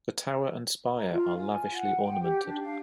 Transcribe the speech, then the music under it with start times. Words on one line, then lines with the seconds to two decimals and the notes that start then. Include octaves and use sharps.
The tower and spire are lavishly ornamented.
0.96 A#5
1.10 F4
1.36 G#5
1.74 F#5
2.00 G5
2.21 G4
2.44 D4
2.62 F5